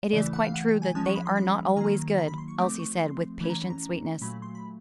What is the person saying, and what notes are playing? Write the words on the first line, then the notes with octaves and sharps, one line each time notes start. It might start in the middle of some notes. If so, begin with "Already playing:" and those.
"It is quite true that they are not always good," Elsie said with patient sweetness.
C#3 E3 A3 D5
F#5
F5
F#5
G5
G#5
F3 G#3 C#4 A5
C#6
B5
C6
B5
D#3 F#3 A#3 A#5
A#5
B5
C6
C#6
F3 A3 C4 D6
C#6
C6
E3 A3 C#4 B5
A#5
B5
A#5
A#2 F#3 A3 B5
C6
B5